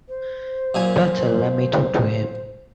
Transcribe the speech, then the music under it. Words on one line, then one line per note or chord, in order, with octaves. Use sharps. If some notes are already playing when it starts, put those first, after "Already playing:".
Better let me talk to him.
C5
F#2 A#2 G#5